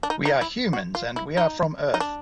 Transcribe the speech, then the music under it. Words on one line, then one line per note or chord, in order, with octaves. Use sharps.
We are humans and we are from Earth.
D4
D#4
D#4
E4
F#4
F4
E4
D#4
D#4
D4